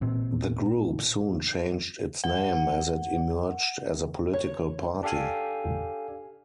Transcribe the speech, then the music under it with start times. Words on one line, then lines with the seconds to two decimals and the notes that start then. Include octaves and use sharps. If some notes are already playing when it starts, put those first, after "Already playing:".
The group soon changed its name as it emerged as a political party.
0.01 A1 A#2 C4
2.24 F#5
4.33 C#5
5.03 D4 G4 A4 F5 G#5